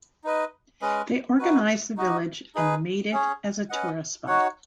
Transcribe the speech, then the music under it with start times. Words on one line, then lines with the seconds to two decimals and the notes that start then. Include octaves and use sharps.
They organized the village and made it as a tourist spot.
0.24 D#4 B4 D#5
0.82 G#3 C#4 B4 D#5
1.39 D#4 F#4 B4
1.97 D#4 F#4 D#5
2.55 D#4 G#4 B4
3.12 C#4 G#4 C#5
3.70 C#4 B4 D#5 F#5
4.27 D#4 F#4 C#5 F#5